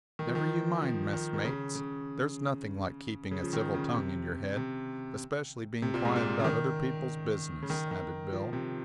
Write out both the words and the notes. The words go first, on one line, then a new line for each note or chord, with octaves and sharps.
"Never you mind, messmates, there's nothing like keeping a civil tongue in your head, especially being quiet about other people's business," added Bill.
D#3
F3
D#3
F3
D#3
D#3
C#3
C#3
C#3
F3
D#3
C#3
C3
C3
C3
A#2
G#2
A#2
C#3
D#3
C#3
D#3
D#3
F3
C3